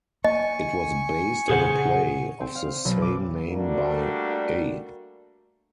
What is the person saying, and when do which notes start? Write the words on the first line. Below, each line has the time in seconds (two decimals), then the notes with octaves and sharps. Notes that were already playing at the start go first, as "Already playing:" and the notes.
It was based on a play of the same name by A.
0.24 A#3 D#5 G#5 C#6
1.49 A#2 C#3 G#4 C5 F#5
2.40 C4
2.55 F5
2.85 B1
3.02 D6
3.48 G3 A3 A#3 D4 F#4